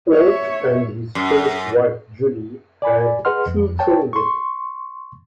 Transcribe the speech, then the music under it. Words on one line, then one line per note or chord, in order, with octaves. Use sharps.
Ault and his first wife Julie had two children.
C#5 E5
F#2
D5 G#5 B5
G#4 B4 D#5 F#5 C6 F6
F2
C#5 G5 A5
C6 C#6